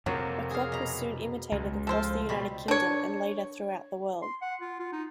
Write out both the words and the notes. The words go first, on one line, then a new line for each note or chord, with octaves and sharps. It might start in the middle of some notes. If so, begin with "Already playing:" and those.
The clock was soon imitated across the United Kingdom and later throughout the world.
F2 C3 F#3 A#3
G#4 F5
B2 A#5
C#2
F3 F4 A4 C5
B2 G3 B5
D4 C#5
C6
F#5
F4
F4
D#4